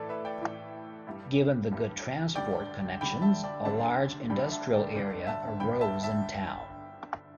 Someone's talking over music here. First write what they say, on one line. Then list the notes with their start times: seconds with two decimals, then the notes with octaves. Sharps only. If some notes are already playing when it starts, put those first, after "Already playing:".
Given the good transport connections, a large industrial area arose in town.
Already playing: A2 E3 A3 E4 A4 D5
0.09 B4 E5
0.25 D5 G5
0.41 A2 E3 A3 E4
1.07 G2 G3 E4
1.71 G2 G3 E4
2.35 D2 D3 G3 D5 G5
3.01 D2 D3 G3 G5 B5
3.22 E5 A5
3.44 D5 G5
3.65 D2 D3 G3 D4 E5 A5
4.30 D2 D3 G3 D4 G5 B5
4.51 E5 A5
4.74 D5 G5
4.95 G1 G2 D3 D5 G5
5.27 E5 A5
5.60 G1 G2 D3 G5 B5
5.81 E5 A5
6.03 E5 A5